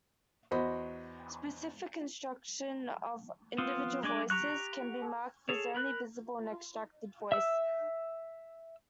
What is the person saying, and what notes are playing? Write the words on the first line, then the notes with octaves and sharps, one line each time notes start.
Specific instruction of individual voices can be marked as "only visible in extracted voice".
E2 F#4 C5 D#5 B5
B3 C4 F4
G#3 D4 G#5 D6
G4 A#5 C#6 F#6
G#4 A4 C#5
A#4 B5 F#6
E5 E6